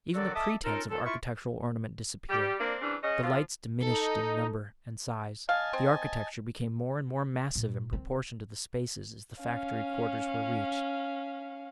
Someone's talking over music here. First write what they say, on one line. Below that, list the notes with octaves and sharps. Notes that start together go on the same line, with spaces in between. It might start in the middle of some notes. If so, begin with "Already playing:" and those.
Even the pretence of architectural ornament disappeared, the lights diminished in number and size, the architecture became more and more massive in proportion to the spaces as the factory quarters were reached.
D3 D#3 F#3 F#4 A4 D5
A4 D#5 E5 A5 D6 D#6
C#4 D#4 F4 A4 A#4
A#2 A4
E4 F4 C#6
G3 G4
A#3 C4 D4
C#3 E3 C4 D4
C#3 C#4 C#5 D#5
D3 F3 F4
D#4 A4
D#5 F5 G#5 A5
C4
A#2
D#3 C4
C#4 F5